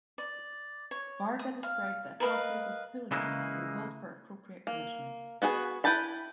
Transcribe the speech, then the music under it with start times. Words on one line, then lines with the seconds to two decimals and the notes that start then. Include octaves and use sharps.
Varga described the attackers as "hooligans" and called for appropriate punishments.
0.18 D5
0.91 C#5
1.39 D#6
1.63 F5
2.20 A#4 B4 D#5 F5
3.12 C#3 E3 G#3 A#3
4.67 A#3
5.42 B3 F#4 G#4 B4
5.84 E4 B4 G5 A5 B5